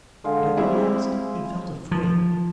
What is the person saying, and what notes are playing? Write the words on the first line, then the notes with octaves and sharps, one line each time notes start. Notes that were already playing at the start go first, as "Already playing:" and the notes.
But at the last he felt afraid.
D3 G#3 F5 G#5
G3 C4 E4 G#4
F3